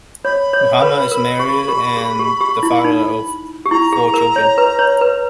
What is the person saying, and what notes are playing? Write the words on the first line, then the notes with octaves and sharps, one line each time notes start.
Mahama is married and the father of four children.
C#5 B5
C#5
B4
A#4
G4
G4
G#4
G4
G4
E4
D#4
G4
E4 A#5
G#4
A#4
C#5
B4
C#5
B4